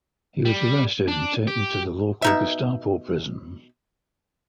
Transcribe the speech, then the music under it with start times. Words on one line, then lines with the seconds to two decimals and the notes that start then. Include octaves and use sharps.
He was arrested and taken to the local Gestapo prison.
0.45 G3
1.08 D4
1.47 G4
2.22 B2 D#4 E5